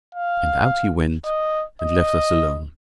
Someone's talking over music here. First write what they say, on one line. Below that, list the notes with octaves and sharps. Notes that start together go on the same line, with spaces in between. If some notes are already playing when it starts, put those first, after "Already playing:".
And out he went, and left us alone.
F5
D#5
D#5